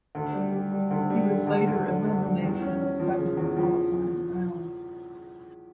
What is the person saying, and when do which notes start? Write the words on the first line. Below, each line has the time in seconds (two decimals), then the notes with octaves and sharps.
He was later eliminated in the second qualifying round.
0.15 D2
0.33 G3
0.52 G3
0.72 G3
0.91 D2
1.10 G3
1.29 D3
1.47 D2
1.67 D2
1.86 D3
2.05 D2
2.23 G3
2.42 E2
2.62 C#4
2.81 C#4
3.00 F3
3.19 C#3
3.37 E2
3.57 F3